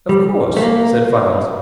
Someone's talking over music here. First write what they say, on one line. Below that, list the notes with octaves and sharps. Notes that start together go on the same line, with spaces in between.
"Of course," said Files.
G3
A3
A#3